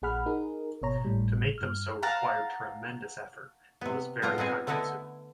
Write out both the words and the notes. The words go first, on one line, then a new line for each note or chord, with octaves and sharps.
To make them so required tremendous effort - and was very time consuming.
A#1 A#2 G#4 F#5 B5 F6
D#4 G#4 A#4
G#1 B2 C#5 A#5
G#1 A2 G3
G2 F6
F5 F#5 A5 A#5
C3 B3
A2 B3 F4 A#4 A#5
B3 C4 D#4 G#4
D3 A3 B3 D#4 E4